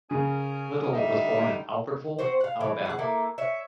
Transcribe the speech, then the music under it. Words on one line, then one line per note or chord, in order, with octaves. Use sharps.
Little was born in Albertville, Alabama.
C#3 C#4 G#4 A#4
D3 G3 D#4 D#5 E5
C4 F#4 C5
F5 F#5
E3
G#4 F#5
A3 A#3 E4
C#5 E5